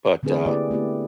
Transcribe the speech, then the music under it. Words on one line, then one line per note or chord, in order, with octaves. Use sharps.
But, uh
D3 A3 C4 D4 G#4 B4
A#3 E4 G4 D5
A3 B3 E4 G4